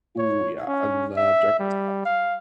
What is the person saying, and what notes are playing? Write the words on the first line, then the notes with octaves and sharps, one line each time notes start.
Ooh, yeah, I love dark roast coffee.
C#5
C#4
E5
G3
F5